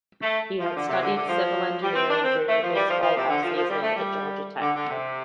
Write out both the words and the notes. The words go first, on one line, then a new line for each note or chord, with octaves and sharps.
He has studied civil engineering during the baseball off-season at Georgia Tech.
A3
F3
D3
C3
D3
D3
F3
G3
C4
D4
C4
A3
F3
G3
F3
F3
C3
D3
F3
F3
G3
A3
G3
D3
D3
C3